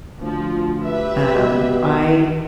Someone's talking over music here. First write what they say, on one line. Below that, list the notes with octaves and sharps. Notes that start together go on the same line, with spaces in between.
Um, I
D2 F3
G4 B4 E5
B2